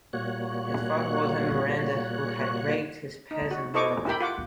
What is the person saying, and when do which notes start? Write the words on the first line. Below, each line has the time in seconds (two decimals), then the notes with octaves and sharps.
His father was a Miranda who had raped his peasant mother.
0.13 A#2 G3 A#3 F#4 C#5 F#6
3.31 D#4
3.51 F#4
3.74 E4 A4 C5 D#5 C#6 D6
4.06 E4 G4 A#4 G5 B5
4.21 F4 F#5 D6